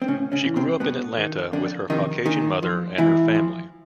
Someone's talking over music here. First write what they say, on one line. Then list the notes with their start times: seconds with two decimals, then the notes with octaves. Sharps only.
She grew up in Atlanta with her Caucasian mother and her family.
0.02 C4
0.08 A2 C#3 C#4
0.32 C#3 C#4
0.44 E3
0.56 C3 C4
0.80 G2 B2 B3
1.17 D#3
1.53 F2 D3 D4
1.90 C3 D#3 F3 D#4
2.26 A#2 D#3 D#4
2.63 F3
2.98 G#2 E3 E4
3.35 F3